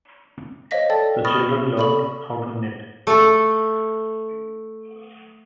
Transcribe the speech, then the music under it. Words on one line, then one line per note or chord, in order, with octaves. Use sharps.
The children learned how to knit.
C5 C#5 D#5 F5 A#6 B6
A4 D5 G5 A5 A6
B5 C#6 D#6 F6 A6 A#6
A4 D5 B5 C#6 F#7
A3 A4